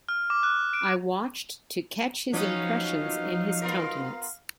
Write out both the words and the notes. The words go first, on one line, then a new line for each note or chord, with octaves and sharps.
I watched to catch his impressions in his countenance.
F6
D6
F#6
D7
F3 F#3 B3 C#4 D#4 F5
B3 F4 A#4